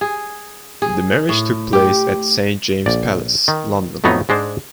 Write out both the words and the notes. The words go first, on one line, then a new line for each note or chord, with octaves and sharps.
The marriage took place at Saint James's Palace, London.
G#4
G#4
A2
G4
A#1 D5
D#3
F2 A2 F#3 B3 D#4
G#2 G#3 D4 C5